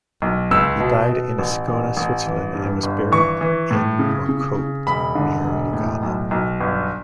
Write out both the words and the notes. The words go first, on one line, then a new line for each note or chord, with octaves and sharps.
He died in Ascona, Switzerland, and was buried in Morcote near Lugano.
B1
C#2 E6
B2
B2
A1
A1
A1
E3
G2
G1
E3 C#6
E3
A2
C#3
C#3
C#3
E1 B5
D3
E1
A2
B1
B1
G1